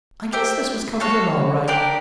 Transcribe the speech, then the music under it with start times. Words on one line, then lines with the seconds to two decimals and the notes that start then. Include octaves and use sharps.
I guess this was covered in all right.
0.33 G4 C5 E5 G5
1.00 F#4 A4 C#5 F5
1.68 D4 G4 A#4 D5